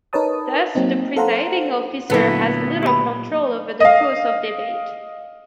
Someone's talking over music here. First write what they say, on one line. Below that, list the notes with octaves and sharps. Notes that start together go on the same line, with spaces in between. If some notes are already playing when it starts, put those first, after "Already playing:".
Thus, the presiding officer has little control over the course of debate.
D#4 A#4 B4 C#5 A5 D#6
F#3 A#3 C4 D#4
A4 C5 F5 F#5 A#5 C6
D2 A#2 F#3 B3 E4 A4 B4 F#5
G4 B5
D#5 F5